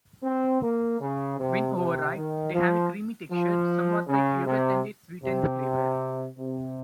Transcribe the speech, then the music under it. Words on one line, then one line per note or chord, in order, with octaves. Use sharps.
When over-ripe, they have a creamy texture somewhat like yogurt and a sweetened flavor.
C4
A#3
C#3
C3
C3
D#3
F3
F3
C#3
C3
C3
C3